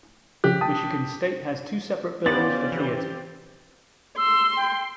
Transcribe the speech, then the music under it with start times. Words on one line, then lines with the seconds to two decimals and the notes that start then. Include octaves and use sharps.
Michigan State has two separate buildings for theatre.
0.44 C#3 F3 G4 F#6
0.61 G5 A5 D#6
2.26 B3 C#4 F4 G4 C5 D5 A6
2.72 E3 C4 G4
4.18 C6 E6
4.57 G5